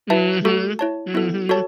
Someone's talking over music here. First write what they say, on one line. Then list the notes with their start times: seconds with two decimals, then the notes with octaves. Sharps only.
Mhm. Mhm.
0.10 E4 B4 E5 A5
0.45 A3 F#4 A4
0.79 E4 C#5 A5
1.14 B3 E4 A4
1.49 F#4 A4 C#5 A5